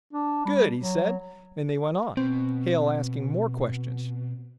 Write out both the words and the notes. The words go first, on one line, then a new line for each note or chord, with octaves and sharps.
"Good!" he said, and they went on--Hale asking more questions.
D4
G3
F#3
B2 C4